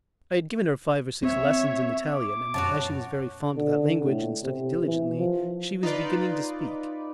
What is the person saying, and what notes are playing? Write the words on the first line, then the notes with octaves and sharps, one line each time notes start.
I had given her five or six lessons in Italian, and as she was very fond of that language and studied diligently she was beginning to speak.
C4 C#5 E5
D6
F#2 B2 F#4 C#5 A5
D3
A2
C3
E3
F3
D#4 F4 B4 D5